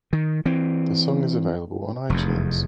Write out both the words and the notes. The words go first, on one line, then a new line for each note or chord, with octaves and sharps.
The song is available on iTunes.
D#3
E3 C4
F1 E2